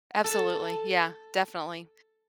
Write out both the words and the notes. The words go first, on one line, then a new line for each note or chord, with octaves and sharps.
Absolutely, yeah, definitely.
A4 A5